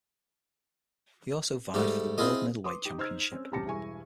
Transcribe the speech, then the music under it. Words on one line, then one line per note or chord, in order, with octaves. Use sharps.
He also vied for the world middleweight championship.
G#2 G3 A3
C4 E4 F4 G#4 D#5
B4 C6 D6 D#6
D#4 G4
D#4 C5 E6 F6 G#6
C4 C#4 C5
C3 C#4 G4 A5 A#6 C#7
E1 G2 E4 G#4 G#5 C#6